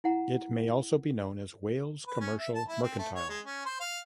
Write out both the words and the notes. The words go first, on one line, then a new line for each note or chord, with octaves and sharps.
It may also be known as Wales Commercial Mercantile.
E4 F#5 A#5
B4
C#4
E5
A5
E4
C4
A3
C#5
G#3
C#4
C5
F5